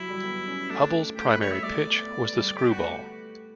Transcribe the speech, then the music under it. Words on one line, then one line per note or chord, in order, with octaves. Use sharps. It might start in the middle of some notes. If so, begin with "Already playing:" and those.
Hubbell's primary pitch was the screwball.
Already playing: F#3 E4
G3
B3
C#4
A3 D4
A3 G4
B4
G3 C#5
G3 E5
A3 D5
B3
B3
G3
G3 G4
B3 F#4
A3